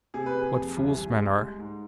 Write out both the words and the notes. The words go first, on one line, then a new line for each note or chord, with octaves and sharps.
What fools men are!
C3 G#4
B4
C3 G#4
F2
C2
C2
G#3
G#3
G#2